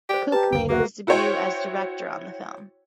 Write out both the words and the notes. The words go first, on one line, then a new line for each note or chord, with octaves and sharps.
Cook made his debut as director on the film.
G4 C5 D5
G4 B4 A5 A#5
F#1 D2 G5
A#3 F#4 G#4 A#4 E5
E4 F#4 C5 C#5 G5